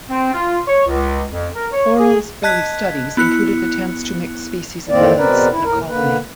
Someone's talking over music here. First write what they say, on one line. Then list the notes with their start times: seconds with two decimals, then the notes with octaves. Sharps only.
Forel's early studies included attempts to mix species of ants in a colony.
0.09 C4
0.34 F4
0.68 C#5
0.87 C#2
1.33 F2
1.56 A#4
1.72 C#5
1.98 G#4
2.43 D#5 A5 F#6 G#6 B6
3.17 B3 E4 F#6 C#7
4.89 F2 A2 D#3 A#3 C4 D5
5.16 E2 B2 C4 A#4 B4 D5
5.50 D2 E4
5.64 D#2 A2 A#4
5.88 D3 A#3 B4